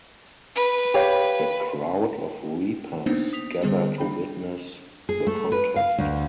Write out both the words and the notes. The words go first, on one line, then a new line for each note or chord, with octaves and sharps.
A crowd of reapers gather to witness the contest.
B4
G4 C#5 F5
A#3 B3 D4 D#4 C5
D#6 B6 F7
D3 G3 B3 G#4 C5
D4 G5 B5
G#4
A3
B4
F5
D2